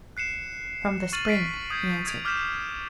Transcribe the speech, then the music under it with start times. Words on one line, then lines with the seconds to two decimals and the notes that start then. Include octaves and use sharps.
"From the spring," he answered.
0.17 F#6 C7 C#7 E7
1.13 C#6 F6 A6 D#7 F#7
1.29 B6 C7 D7
1.70 D#6 G6 G#6
2.06 D#6 G#6 D7 F7
2.25 D6 F6 G6 B6 E7